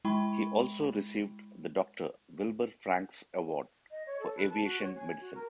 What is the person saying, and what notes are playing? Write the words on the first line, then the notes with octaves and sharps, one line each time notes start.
He also received the Doctor Wilbur Franks Award for aviation medicine.
G#3 E4 G5 B5 C#6
D#5
C#5
A4
B4
A5
F#4
C#5
G#5
F#4
A#4